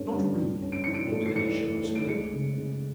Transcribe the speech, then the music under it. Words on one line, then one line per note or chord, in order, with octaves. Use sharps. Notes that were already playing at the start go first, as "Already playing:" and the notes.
Not rudely, or with any show of spleen.
Already playing: G2 A3 C#4
G2
G2
C#4
D7
E3 C#7
D7
A3
C7
E3 C#7
A3
A3
D7
G#3 C#7
C#3
C#3